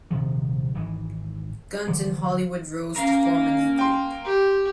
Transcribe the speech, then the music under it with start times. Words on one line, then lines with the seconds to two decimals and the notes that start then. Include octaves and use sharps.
Guns and Hollywood Rose to form a new group.
0.10 D#1 C3 D#3 F3
0.74 G#1 G#2 E3
1.87 D3 E3 F3
2.96 C#4 A#4 F5
3.79 G5 C6
4.25 G4